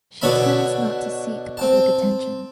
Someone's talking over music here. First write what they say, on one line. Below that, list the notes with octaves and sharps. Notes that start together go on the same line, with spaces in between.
She tends not to seek public attention.
B2 D3 C#5 E5 A5 B5
C4 A5